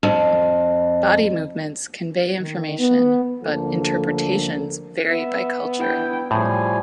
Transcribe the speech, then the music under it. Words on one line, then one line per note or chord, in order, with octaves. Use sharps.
Body movements convey information, but interpretations vary by culture.
F2
D#3
B3
D2 D3 F3 A#3 A4
B3 E5
D4 E4 G5
A2 F3 G3 G#4 G#5